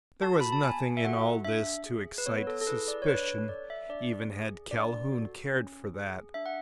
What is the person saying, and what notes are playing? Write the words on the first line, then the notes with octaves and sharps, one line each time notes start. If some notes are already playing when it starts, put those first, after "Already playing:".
There was nothing in all this to excite suspicion--even had Calhoun cared for that.
F#4 A4 A5
B5
A5
B3 G#5
E5
F#4 A4 F#5
D4 E5
G#4
B4
B3 C#5
A4
A4
E4 G#4 B4
D5
C#5
D4 B4
C#5
A4 D5
E5
D4 D5
G#4
D4 D5
F#4 A4
C#4
G#4
D4 E5
F#5